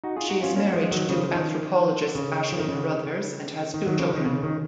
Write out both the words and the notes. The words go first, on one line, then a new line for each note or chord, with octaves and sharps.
She is married to anthropologist Ashley Carruthers and has two children.
D#4 F#4
F4 G#4
D#4 F#4
C#4 F4
A#3 C#4
F3 G#3
D#3 F#3
C#3 F3
F3
D#3
C#3
F3
D#3
C#3
D#3
D#3 F#3
C#3 F3
D#3
C#3
D#3